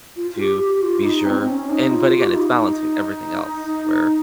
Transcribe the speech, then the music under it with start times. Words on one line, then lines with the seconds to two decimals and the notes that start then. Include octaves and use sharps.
to be sure and but, again, it's balancing everything else, where
0.16 F4
0.31 F4
0.39 G4
0.59 G4
0.82 F4
1.03 D#4
1.25 C4
1.37 C4
1.48 C#4
1.70 D#4
1.91 F4
2.18 G4
2.26 F4
2.35 D#4
2.57 D#4